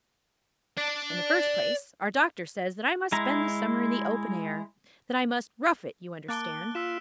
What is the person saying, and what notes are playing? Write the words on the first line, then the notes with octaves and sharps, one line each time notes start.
In the first place, our doctor says that I must spend the summer in the open air--that I must rough it, you understand.
D5 A5
G#3 E4 A#5
A#3 A5 D6 F#6 A6 D7 G7
F4 E6 B6 E7